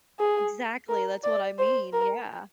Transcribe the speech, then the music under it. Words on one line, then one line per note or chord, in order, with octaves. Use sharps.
Exactly, that's what I mean, yeah.
G#4
A#4
D5
C5
A#4